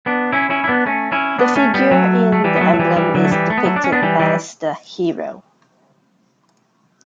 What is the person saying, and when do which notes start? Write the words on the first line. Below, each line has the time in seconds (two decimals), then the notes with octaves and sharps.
The figure in the emblem is depicted as the "Hero".
0.06 B3 D4
0.32 C#4 E4
0.50 C#4 E4
0.64 E4
0.68 B3 D4
0.86 A3 C#4
1.12 C#4 E4
1.39 B3 D4
1.56 A3 C#4
1.74 G3 B3
1.91 F#3 A3
2.32 A3
2.44 E3 G3
2.56 B3
2.61 F#3 A3
2.74 F#3
2.79 E3 G3
2.96 E3 G3
3.14 D3 F#3
3.25 A3
3.31 E3 G3
3.50 A3
3.58 B3
3.65 F#3 A3
3.76 D4
3.84 C#4
3.92 B3 D4
4.02 E3 G3
4.20 E3 G3